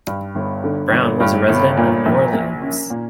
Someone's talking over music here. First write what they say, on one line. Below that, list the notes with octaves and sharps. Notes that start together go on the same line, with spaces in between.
Brown was a resident of New Orleans.
G2
G1
D3
G1
G2
G1
A#2
A#1
A#3
C#4
A#2